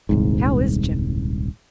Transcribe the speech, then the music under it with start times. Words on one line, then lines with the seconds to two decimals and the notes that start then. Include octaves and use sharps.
How is Jim?
0.09 D#1 C2 G#2